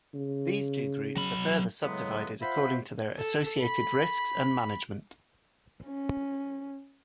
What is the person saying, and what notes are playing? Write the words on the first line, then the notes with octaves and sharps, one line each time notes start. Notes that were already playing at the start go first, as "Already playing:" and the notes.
These two groups are further subdivided according to their associated risks and management.
C#3
F#3 B5
A2 C#3 F#3 G#3 B3
F4 C5 E5 F#5 B5
A4
B5
C#4